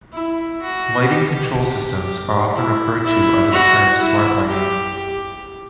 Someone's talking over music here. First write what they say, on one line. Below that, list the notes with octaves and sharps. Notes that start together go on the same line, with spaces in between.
Lighting control systems are often referred to under the term Smart Lighting.
E4
F#4
G4
E4
E4
F#4
E4
G4
G4